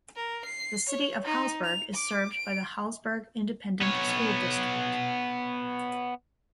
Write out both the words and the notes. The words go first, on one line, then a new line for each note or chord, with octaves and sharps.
The City of Hallsburg is served by the Hallsburg Independent School District.
A#4
C7
C#5
D#4
F7
D6
D7
B3 C#5